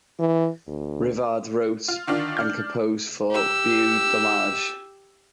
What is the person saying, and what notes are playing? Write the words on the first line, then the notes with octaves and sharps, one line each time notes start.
Rivard wrote and composed for Beau Dommage.
E3
D2
F4
D3 D#3 D4 F4
D4 F6 G6
G4 E6